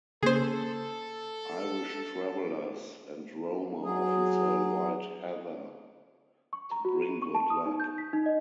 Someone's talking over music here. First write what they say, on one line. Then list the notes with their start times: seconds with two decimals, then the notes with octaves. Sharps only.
Irish Travelers and Roma often sell white heather to "bring good luck".
0.23 C#3 A#3 C#4 G#4 A4 C5
3.84 F#3 G#4
6.53 C#6
6.71 A#5
6.85 F#4
7.02 D#7
7.22 C#6
7.35 A5
7.50 D#6
7.66 D#4
7.80 G6
7.98 B6
8.13 D#4
8.26 D#5